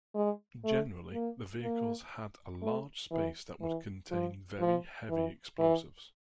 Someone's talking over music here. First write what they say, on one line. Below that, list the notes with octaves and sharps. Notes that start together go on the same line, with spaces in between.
Generally the vehicles had a large space that would contain very heavy explosives.
G#3
A3
A#3
A#3
A3
E3
E3
F3
F3
E3
E3